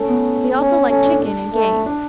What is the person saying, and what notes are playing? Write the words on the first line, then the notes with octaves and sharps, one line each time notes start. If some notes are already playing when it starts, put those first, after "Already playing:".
They also like chicken and game.
Already playing: A3 C#4
B3
C#4
A3 C#4
D4
D4
A3
D4